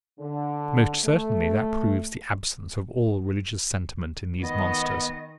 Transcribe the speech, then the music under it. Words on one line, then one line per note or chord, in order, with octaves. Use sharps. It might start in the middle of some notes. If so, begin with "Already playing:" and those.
Most certainly that proves the absence of all religious sentiment in these monsters.
D3
A3
D#3 B3 D#5